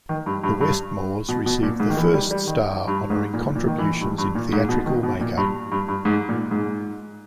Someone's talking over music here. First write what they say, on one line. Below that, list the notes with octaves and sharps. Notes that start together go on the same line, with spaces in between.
The Westmores received the first star honoring contributions in theatrical make-up.
D#3
G2
G2
G2
B2
B2
A#2
G#2
D#3
E3
G3
G3
D#3
G2
G#2
A#2
A#2
D#3
E3
G2
G2
A#2
G#2
B2
D#3
B2
A#2
G2
G2
G2
G#2
A#2
G#2